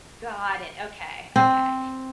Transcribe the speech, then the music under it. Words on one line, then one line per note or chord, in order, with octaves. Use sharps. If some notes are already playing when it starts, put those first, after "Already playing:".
Got it. Okay, okay.
C4